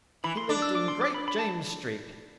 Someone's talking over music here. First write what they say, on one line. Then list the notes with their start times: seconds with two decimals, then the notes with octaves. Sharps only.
"He lived in Great James Street."
0.24 E3 B5
0.37 C6
0.49 D4 D6
0.62 E6
0.75 D6
0.88 C6
1.01 D6
1.14 B5
1.28 B5
1.39 A5